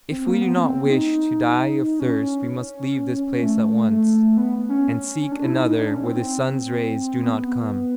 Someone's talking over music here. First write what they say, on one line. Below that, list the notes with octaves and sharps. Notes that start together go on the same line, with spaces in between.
If we do not wish to die of thirst we must leave this place at once, and seek another where the sun's rays do not come.
C4
A#3
B3
C4
C4
D#4
C#4
A3
A3
B3
C#4
C#4
D4
E4
D#4
D#4
D4
C#4
C4
C4
B3